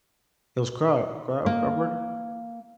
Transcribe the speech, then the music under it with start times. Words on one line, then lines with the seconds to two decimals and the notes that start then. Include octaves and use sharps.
It was Craw Craw Crawford?
1.46 A#3